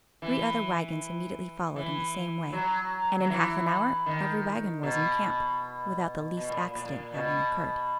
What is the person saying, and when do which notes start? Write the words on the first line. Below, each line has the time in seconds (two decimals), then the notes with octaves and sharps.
Three other wagons immediately followed in the same way, and in half an hour every wagon was in camp, without the least accident having occurred.
0.22 E3
1.76 E3
2.52 F#3
3.20 F#3
3.30 E3
4.06 D#3
4.83 B2
6.37 B2
6.50 A#2
6.75 A#2
7.14 B2